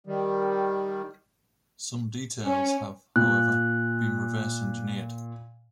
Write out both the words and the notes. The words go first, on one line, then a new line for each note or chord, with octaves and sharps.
Some details have, however, been reverse engineered.
D#3 G3
C#4
A#2 F#6